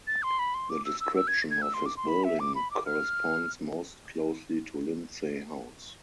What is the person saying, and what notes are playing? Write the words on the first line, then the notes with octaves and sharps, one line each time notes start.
The description of his building corresponds most closely to Lindsey House.
A6
C6
B5
C6
D6
E6
E6
E6
G#6
G#6
E6
C6
D6
C6
B5
E5
D6
B5
D6
F6